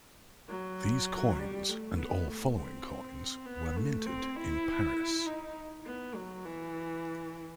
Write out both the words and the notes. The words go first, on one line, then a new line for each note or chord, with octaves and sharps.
These coins, and all following coins, were minted in Paris.
F#3
G3
A3
B3
A3
C4
B3
A3
C4
E4
D#4
B3
F#3
E3